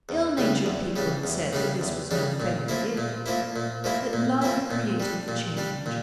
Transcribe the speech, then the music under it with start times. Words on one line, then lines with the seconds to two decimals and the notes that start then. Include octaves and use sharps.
Ill-natured people have said that this was no fairy-gift, but that love created the change.
0.09 E2
0.38 C#3 G3 D4
0.66 E2
0.96 C#3 G3 D4
1.24 E2
1.53 C#3 G3 D4
1.81 E2
2.11 C#3 G3 D4
2.40 A#2
2.68 F3 A#3 E4
2.98 A#2
3.26 F3 A#3 E4
3.56 A#2
3.84 F3 A#3 E4
4.13 A#2
4.42 F3 A#3 E4
4.71 A#2
5.00 G3 D4
5.28 A#2
5.57 G3 D4
5.86 A#2